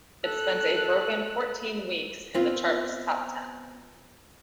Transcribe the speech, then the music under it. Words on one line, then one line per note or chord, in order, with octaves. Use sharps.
It spent a broken fourteen weeks in the chart's top ten.
A4 F#6
B3 C4 F4